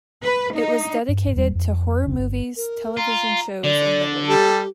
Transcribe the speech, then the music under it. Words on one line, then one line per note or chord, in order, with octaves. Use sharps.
It was dedicated to horror movies, television shows and literature.
B4
D#4
G2
D#1 E2 G3
F2
E1 D2 C#3 C#4
G1
A#4
F4 A#5
D3 D5
G3 G4 A4